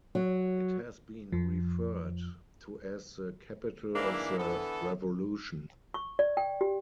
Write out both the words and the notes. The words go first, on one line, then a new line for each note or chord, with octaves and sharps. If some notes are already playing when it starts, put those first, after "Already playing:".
It has been referred to as the Capital of the revolution.
F#3
F2 F3
G#2 E3 A#3 D4 E4
D3 E3 B3 A4
C#6
D5
G5
G4